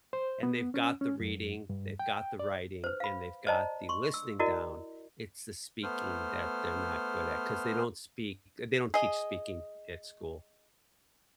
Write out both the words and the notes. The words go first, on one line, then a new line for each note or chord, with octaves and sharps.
and they've got the reading, they've got the writing, and they've got the listening down- it's the speaking that they're not good at, 'cause they don't speak uh, they don't teach speaking at school.
C5
B3
C#4
C#4
F#2
G2
G5
D5
B4 C5
F5 B5
C5 D5 D#5 A5 A#5
C6 C#6
E6
E4 F#4 A#4 D5 D#5
A3 B3 C5 F6
G#4 D#5